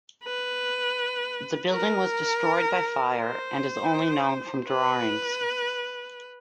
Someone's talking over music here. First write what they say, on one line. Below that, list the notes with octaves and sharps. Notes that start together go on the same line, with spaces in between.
The building was destroyed by fire and is only known from drawings.
B4
A#4
C5
B4